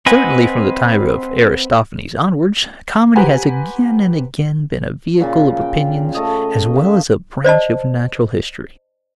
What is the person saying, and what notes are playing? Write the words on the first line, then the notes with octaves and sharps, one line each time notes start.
Certainly, from the time of Aristophanes onwards, comedy has again and again been a vehicle of opinions as well as a branch of natural history.
C4 B4 D#5 F#5 G#5
G4 B4 C5 F#5 G#5 A#5
A#2 C#3 F4
G5
A3 D#5
E5 F5
C5 D5 D#5 A5